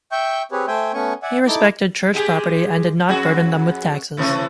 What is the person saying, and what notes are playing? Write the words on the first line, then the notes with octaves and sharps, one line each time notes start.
He respected church property and did not burden them with taxes.
E5 G5 C#6 G6
C4 G4 G#4 B4 C#5
A3 C5 E5 G5 G#5
A3 B3 C#4 G#5 C#6
D5 E5 F#5 G#5
D#4 E4 A4 D6
G#3 G4 G#4
F2 F#4 G#4
C3 E3 A3